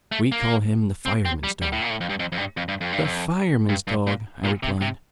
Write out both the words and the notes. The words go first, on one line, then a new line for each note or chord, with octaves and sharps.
We call him the firemen's dog.' 'The firemen's dog!' I replied.
A3
A#3
C4
C4
G3
G3
A2
A#2
A2
F2
G2
F2
F2
G2
F2
G2
F2
G2
F2
G2
G2
A#2
A#2
C3
C3